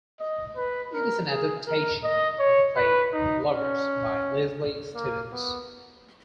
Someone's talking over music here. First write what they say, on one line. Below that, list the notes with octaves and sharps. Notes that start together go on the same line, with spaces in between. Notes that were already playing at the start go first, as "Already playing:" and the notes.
It is an adaptation of the play, "The Lovers", by Leslie Stevens.
D#5
B4
A#4
G#4
A#4
D#5
C#5
B4
D#4
C#4
A#3
B3